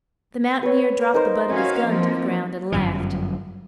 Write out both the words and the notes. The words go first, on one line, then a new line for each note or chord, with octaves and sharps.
The mountaineer dropped the butt of his gun to the ground and laughed.
B4 C#5
D#4 A#4 C5
C#4 F#4 F5
F3 A#3 C4
G1 F#2 F3